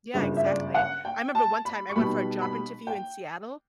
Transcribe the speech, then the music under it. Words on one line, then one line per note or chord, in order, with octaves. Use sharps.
Yeah, exactly. I remember one time I went for a job interview in Seattle,
G1 F#2 C#3
E5
D5
F#5
G5
A5
B5
C#6
B1 B2 G3 B5
B5
G5